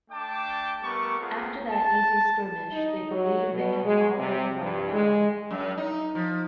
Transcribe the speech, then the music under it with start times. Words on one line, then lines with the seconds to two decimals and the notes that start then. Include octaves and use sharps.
After that easy skirmish they believed they had already won the battle.
0.10 A3 D4 G5 A5 D6
0.82 G3 A3 B3 A#4 C#6 D6
1.19 A3 B3 C4 F4 G#4 A#4
1.71 A5
2.72 D#4
3.11 F#3
3.52 B2
3.84 G#3
4.17 C3
4.61 G2
4.93 G#3
5.51 F#2
5.77 D#4
6.15 F3